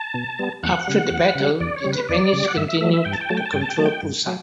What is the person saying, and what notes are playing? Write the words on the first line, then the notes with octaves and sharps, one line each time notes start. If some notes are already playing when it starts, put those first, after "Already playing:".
After the battle, the Japanese continued to control Busan.
Already playing: A5
B2
G3 B3
E2 F#5
C#3 G3
E2
C#3 G3
E2 D5
C#5
C#3 G3
B4
E2 D5
C#3 G3
F#5
G2 E5
E5
F#3 A3 E5
E5
G2 G5
A5
G5
F#3 A3 A5
G5
A5
G2 G5
A5
G5
F#3 A3 A5
G5
G2
F#3